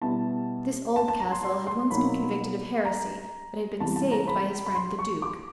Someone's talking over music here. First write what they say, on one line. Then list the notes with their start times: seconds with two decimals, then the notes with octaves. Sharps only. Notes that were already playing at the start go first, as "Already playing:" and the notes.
This Oldcastle had once been convicted of heresy, but had been saved by his friend the duke.
0.01 B2 G3 B3 E4 A5
0.96 A5
1.08 A5
1.20 A#5
1.32 C6
1.43 C6
1.67 C6
1.91 B2 F#3 A#3 D#4 B5
2.85 A#5
3.80 E2 C3 E3 G3 A5
3.96 A5
4.12 A#5
4.28 B5
4.66 B5
4.75 C6
4.99 C#6
5.22 D6